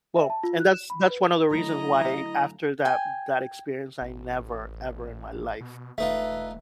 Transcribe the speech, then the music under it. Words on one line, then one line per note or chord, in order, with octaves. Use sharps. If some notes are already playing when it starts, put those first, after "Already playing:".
Well, and that's that's one of the reasons why after that that experience, I never ever in my life
E5
A5
F4
F#6
E7
B5
B4
D3 F#3 A3 E4 D#5 A#5
G5 G#5
A1
B2
E1 A3 D#4 F4 B4 E5